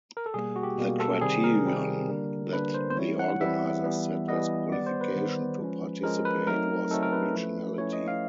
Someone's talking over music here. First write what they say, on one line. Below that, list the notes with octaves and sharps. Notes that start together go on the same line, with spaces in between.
The criterion that the organizers set as qualification to participate was "originality".
A#4
A4
B2 G3 A#3 G#4
F#4
G4
B2 G3 A#3
A4
C3 D#3 G3 C4 G#4
A#4
C3 D#3 G3 C4
D3 G3 A#3 D4
D3 G3 A#3 D4 B4
C5
C5
E3 G3 C4 E4 C#5
F#5
E3 G3 C4 E4 E5
E3 G3 B3
E3 G3 B3 D#5
D#3 G3 B3 D5
C5
B4
D#3 G3 B3
F3 G#3 C#4
F3 G#3 C#4 A#4
B4
F#3 A3 C4 D#4 A#4
F#3 A3 C4 D#4 A4
A#4
B4
F3 A3 C#4 E4
F3 A3 C#4 E4 C#5
D#5
F5